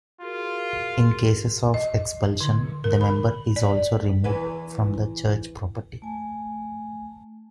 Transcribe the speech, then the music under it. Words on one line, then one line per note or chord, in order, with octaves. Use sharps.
In cases of expulsion the member is also removed from the church property.
F4 F#4 G#4 A#4
D#5
D3
A#4
B5
D5
E2 E3 B4
A3 G#5